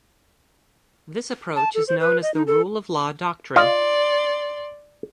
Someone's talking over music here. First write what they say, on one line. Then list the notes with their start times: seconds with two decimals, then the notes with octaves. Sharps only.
This approach is known as the Rule of Law doctrine.
1.56 A5
1.75 A4
1.88 C5
2.00 B4
2.23 D#5
2.34 D#4
2.47 A4
3.56 F4 D5 D#5 F5 C6